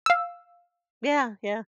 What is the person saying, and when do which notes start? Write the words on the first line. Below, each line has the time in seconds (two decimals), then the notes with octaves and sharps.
Yeah, yeah.
0.06 F5 E6